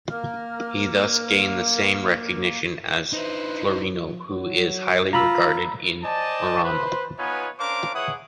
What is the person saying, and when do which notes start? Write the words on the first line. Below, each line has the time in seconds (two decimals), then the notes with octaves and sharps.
He thus gained the same recognition as Florino, who is highly regarded in Murano.
0.10 A#3 A#4 F6
3.13 D#4 E4 B4 C5
4.06 F3
4.29 F#3
5.13 F4 A#5 B5 E6
6.04 C5 D5 D#5 G#5 A5
6.64 B4 C5
7.19 B3 D#4 F4 B4 C#5 G#5
7.59 C#4 D4 A#4 C5 F5 D6
7.95 E4 G#4 B4 C#5 F#5 D#6